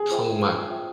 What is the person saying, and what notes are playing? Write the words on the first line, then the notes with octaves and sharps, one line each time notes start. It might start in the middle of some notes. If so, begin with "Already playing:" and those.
Oh my
Already playing: G#4
F4 C5 E5 G5
F4 C5 E5 G5